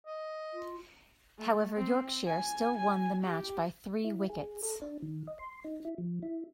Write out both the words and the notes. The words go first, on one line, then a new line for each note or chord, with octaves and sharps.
However, Yorkshire still won the match by three wickets.
D#5
F4
A3
C4
G#5
G#5
G4
E4
G#4
A4
D4
D#3
D#5
C6
D#4
E4
F3
E4